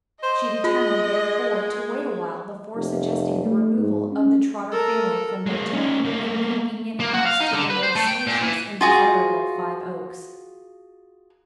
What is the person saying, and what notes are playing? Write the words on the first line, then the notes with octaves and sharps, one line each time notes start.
She determined, therefore, to wait awhile before suggesting the removal of the Trotter family from their tiny, inconvenient house to the more spacious and desirable Five Oaks.
C5 D#5
G#3 F4
F1
A3
G#2
C#4
A4 A#4
G#3 A#3
C#4 D#4
A3 A#3
A#3
F#4
F5
D#4
D3
B4
C5
A3
G5
A#2
E3
F4 F#4 G#4